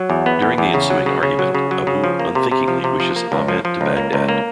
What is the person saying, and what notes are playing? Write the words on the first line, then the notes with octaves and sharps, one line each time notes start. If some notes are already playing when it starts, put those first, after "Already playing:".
During the ensuing argument, Abu unthinkingly wishes Ahmad to Bagdad.
Already playing: F#3
E2
B3
E2
E2
C#3
F#3
C#3
C#3
F#3
C#3
F#3
C#3
F3
A#3
C3
C3
F3
C3
F3
A#3
C#2
F3
F3
C#2
A#3
C#2
A#3